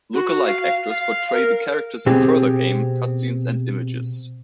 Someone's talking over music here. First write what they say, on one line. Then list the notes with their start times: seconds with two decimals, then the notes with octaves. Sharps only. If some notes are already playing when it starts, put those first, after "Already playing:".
Look-alike actors portray the characters in further game cutscenes and images.
0.14 F#4
0.47 F5
0.89 F5
1.33 A#4
2.06 B2 C4 G4 G#4